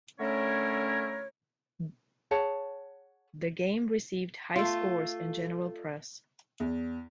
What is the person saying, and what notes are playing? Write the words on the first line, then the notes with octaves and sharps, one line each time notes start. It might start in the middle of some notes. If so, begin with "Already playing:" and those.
The game received high scores in general press.
D3 A3 C#4 E4 A#4 C#5
G#4 C#5 F#5 A5
A3 F4
E2